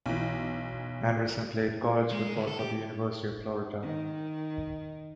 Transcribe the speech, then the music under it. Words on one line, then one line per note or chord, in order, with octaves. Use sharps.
Anderson played college football for the University of Florida.
B1 E3
G#3
D2
A4
G4
D#3